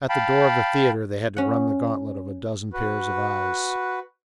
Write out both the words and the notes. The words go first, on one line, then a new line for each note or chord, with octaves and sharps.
At the door of the theatre they had to run the gantlet of a dozen pairs of eyes.
F5 G5 A5 B5
C#4 F#5
F#4 B4